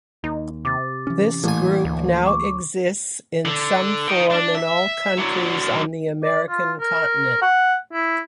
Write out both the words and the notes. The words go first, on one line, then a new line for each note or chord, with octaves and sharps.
This group now exists in some form in all countries on the American continent.
D#2 D#4
C3 D6 A6
E3 C#4
A1 E3 A3 A#3 G#5
D2
C#6 D6
D3
D#5 G5
D4
E5
D3 F#3
D5
F4
A#4
F#5
E4